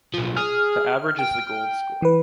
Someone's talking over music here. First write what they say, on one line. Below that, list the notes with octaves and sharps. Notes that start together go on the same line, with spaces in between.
The average is the Golde score.
B1 F3
G#4 F6
G5
E3 B4